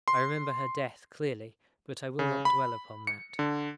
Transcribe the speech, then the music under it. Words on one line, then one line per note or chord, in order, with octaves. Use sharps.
I remember her death clearly, but I will not dwell upon that.
C6
C#3
B5
C#7
D3